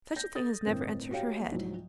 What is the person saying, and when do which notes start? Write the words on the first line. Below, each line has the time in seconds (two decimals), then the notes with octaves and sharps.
Such a thing has never entered her head.'
0.16 G6 A#6
0.35 A4 D#6 A6
0.66 G1 D2 A2 C4 A#4
1.11 F#4 G4 C#5 F5 G5
1.40 A#3
1.52 C2 G#2 F3 F#3